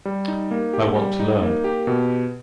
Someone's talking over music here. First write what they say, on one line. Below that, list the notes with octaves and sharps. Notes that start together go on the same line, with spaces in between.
I want to learn.
G3
D#4
A#3
G4
G3
D#4
A#3
G4
B2